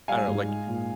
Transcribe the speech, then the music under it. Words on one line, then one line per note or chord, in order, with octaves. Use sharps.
I don't know, like,
G3 F5 G#5
G#2
G#3
A#2